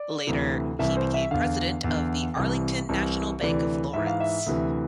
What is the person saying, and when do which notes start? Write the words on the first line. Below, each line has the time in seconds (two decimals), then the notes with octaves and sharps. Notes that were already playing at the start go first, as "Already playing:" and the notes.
Later, he became president of the Arlington National Bank of Lawrence.
Already playing: D5
0.27 D2 C3 E3
0.79 C2 C3 E3 E5
0.97 C5
1.14 E5
1.31 E2 D3 F5
1.84 E2 D3
2.36 C2 C3 E3
2.89 C2 C3 E3
3.41 D2 C3 E3 D5
3.93 G#2 E3 E5
4.07 F5
4.20 E5
4.46 D2 C3 E3